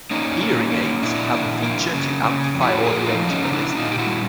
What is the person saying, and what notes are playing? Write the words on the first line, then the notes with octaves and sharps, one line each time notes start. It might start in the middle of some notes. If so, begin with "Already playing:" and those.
Hearing aids have a feature to amplify audio to the listener.
A#3 C#4 D#4
A#3
A#3
A#2 D4 E4
A#3
A#3
C#3
C#3
F2
E4 F#4
F2 G#4 A#4
F#4
D#4 F4
F3
C#4 D#4
C#3 D#4
D4 E4
A#2 D#4 F4
G4
E4 F#4
G3